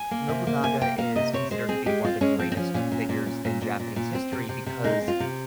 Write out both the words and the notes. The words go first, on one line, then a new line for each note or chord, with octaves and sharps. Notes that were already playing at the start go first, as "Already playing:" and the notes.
Nobunaga is considered to be one of the greatest figures in Japanese history because
Already playing: G#5
A#3
C3
A#3
C3 G#5
A#3 G5
A#3 F5
C3 D#5
C4 C#5
G#3 C5
C4 G#4
G#3 G4
C4 F4
G#3 C#4
F3 C4
C4
F3 C#4
A#2 C#4
A#2
A#2
A#2
A#2
A#2
A#2
A#2
C4
C3
C3
C3
G#3 D#4
C4
F4
C3